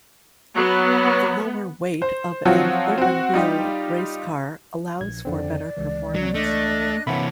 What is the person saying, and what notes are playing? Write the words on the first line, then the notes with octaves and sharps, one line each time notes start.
The lower weight of an open-wheel racecar allows for better performance.
F#3 B3
C5
F3 F#3 C4 F4 F#4
C4 F#4
G3 D#4 F4 G4
A#1 G#6
F2 D3 C4 D5
C#2 E3
F#3
A3 D4 D#5 F#6
C3 E3 A#3 C#5 E5 F#5 A5 B5